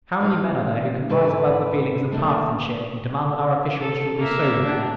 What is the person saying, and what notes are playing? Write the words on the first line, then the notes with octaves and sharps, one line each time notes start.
How many men are there who can rise above the feelings of partisanship, and demand that our officials shall be sober men?
C4 D#4 F5
G#2 A4 B4 D5
A3 A#3 D4 D5 E5
A4
A#3 E5
D4